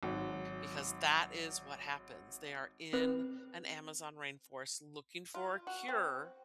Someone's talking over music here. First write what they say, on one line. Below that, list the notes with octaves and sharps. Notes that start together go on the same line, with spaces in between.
because that is what happens. They are in an Amazon rainforest looking for a cure,
G#1 F#3
C4 B4
F4
F#4
C4